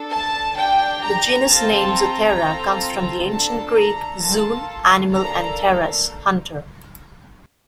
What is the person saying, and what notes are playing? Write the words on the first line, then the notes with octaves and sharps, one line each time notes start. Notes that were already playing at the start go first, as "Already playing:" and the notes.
The genus name "Zoothera" comes from the Ancient Greek "zoon", "animal" and "theras", "hunter".
Already playing: D4 A4
A5
D4 G4 G5
A#5
C4 F4 A4 A5
A#5
C4 F4 A4
D4 A4 A5
A#5
A#3 F4 A4 A5
A#3 D4 A4 A#5